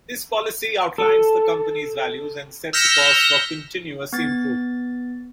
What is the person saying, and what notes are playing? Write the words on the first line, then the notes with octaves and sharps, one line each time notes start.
This policy outlines the company's values and sets a course for continuous improvement.
A4
E6 F6 G6 A#6 B6 C#7
B3 A6